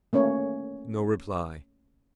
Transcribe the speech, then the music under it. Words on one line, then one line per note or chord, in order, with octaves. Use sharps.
No reply.
A3 A#3 C#4 C#5